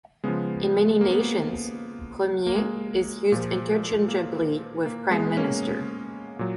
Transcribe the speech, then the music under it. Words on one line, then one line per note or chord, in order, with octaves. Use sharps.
In many nations, "premier" is used interchangeably with "prime minister".
C#3 F3 G#3 B3
A#3
B3
A#3
A#3
G#3
A#2 F3
A#3
A#3
G#3 B3
A#3 C#4
A#2 F#3